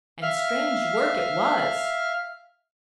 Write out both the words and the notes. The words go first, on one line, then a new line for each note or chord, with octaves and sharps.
And strange work it was!
E5 F5 F6